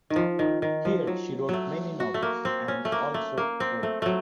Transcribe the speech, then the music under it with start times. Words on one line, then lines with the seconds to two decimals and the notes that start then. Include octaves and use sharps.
Here she wrote many novels and also poetry.
0.10 D#3
0.16 F3
0.39 D#3
0.62 D#3
0.85 F3
1.07 F#3
1.49 F#3 A3
2.00 F#4
2.14 A3
2.22 A#3
2.45 C4
2.68 C#4
2.85 A3
2.92 A#3
3.14 A3
3.38 A#3
3.60 C4
3.83 A3
4.02 F#3 A3